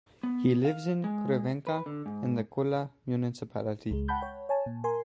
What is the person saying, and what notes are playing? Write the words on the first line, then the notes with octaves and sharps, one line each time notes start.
He lives in Crvenka in the Kula municipality.
B3
F5
G#3
B4
D3
G#2
C#2 G#3
F#5 G5 A5 B5 G6
C#5
C#5 G#5 A5
A#2
A#4 G#5 C6